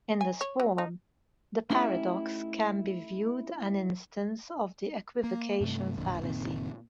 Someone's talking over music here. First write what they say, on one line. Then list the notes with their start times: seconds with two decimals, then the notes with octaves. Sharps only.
In this form, the paradox can be viewed an instance of the equivocation fallacy.
0.21 G#5
0.41 C#5
0.60 F#3
0.78 D#4
1.70 A3 C#4 D#4 E4 G4
5.24 A#3
5.61 G2 C3 A3
5.97 A1 F2 A#2 D3
6.22 F#1 A#2 D#3 C4